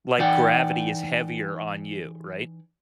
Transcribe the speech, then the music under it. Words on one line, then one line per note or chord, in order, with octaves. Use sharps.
Like gravity is heavier on you. Right?
E3 D#4 D5 F#5 G5